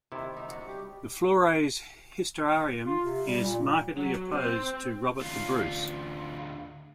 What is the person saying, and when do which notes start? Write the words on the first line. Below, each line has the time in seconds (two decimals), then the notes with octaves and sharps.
The Flores Historiarum is markedly opposed to Robert the Bruce.
0.12 C3 D#3 E4
0.34 D3 D#4 E5
0.49 D4 D#4 F#4
0.66 G3 G4
2.86 F4
3.04 C3
3.26 G3
3.43 A#2
3.95 F#3
4.31 C4
5.21 D2 F4